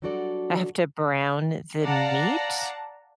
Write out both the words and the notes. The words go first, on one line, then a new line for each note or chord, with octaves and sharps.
I have to brown the meat
F#3 G3 D4 F#4 A4 D5
D5 F5 F#5 A5 A#5